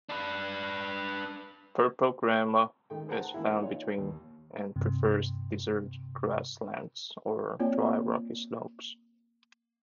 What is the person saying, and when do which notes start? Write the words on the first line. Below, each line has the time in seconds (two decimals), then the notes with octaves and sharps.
Purple grama is found between and prefers desert grasslands or dry rocky slopes.
0.09 D4 B4
2.90 D#3 A3 G5
3.08 G#4 C5 F#5 G5 A5 A#5
3.34 E3 A#3 E4
3.59 D#4 F4 C#5
3.98 D#2
4.76 G2 C3
7.59 A#3 C4 F4 C#5 D5 G5